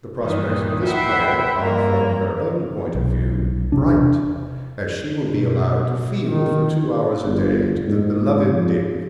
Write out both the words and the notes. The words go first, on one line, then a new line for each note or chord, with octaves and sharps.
The prospects of this player are, from her own point of view, bright, as she will be allowed to field for two hours a day to the beloved Dick.
G2 A#2 D#3 E3
E5 F#5 G5 B5 C6
G2 A#3 A#4
B1
E1 C3 D4
B2
D#3
G1
G#2
F2